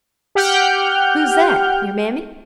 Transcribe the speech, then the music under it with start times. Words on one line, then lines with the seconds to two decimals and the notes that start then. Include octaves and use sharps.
"Who's that--your Mammy?"
0.35 G4 F#5 G5 F6 G6